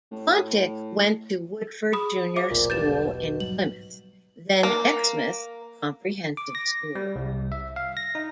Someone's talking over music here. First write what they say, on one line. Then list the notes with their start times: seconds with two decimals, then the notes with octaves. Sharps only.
Quantick went to Woodford Junior School in Plymouth, then Exmouth Comprehensive School.
0.11 A2
1.93 G#4 B5 D#6
2.36 F3 E5 D6
2.50 E1 B1 A#2
2.70 G2 G6 A6 E7
3.03 B2
3.40 G#2 F#3 G3 F#7
4.63 A#3
6.37 D6
6.55 A#6
6.95 G3
7.16 C2
7.52 E5
7.76 F5
7.97 A#6
8.15 D#4